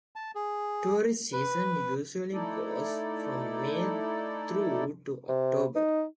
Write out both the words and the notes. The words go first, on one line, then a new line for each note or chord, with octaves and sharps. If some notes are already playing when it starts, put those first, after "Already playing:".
Tourist season usually goes from May through to October.
A5
G#4
B4
A3 D#4 E4 A4 D5
C3
D#4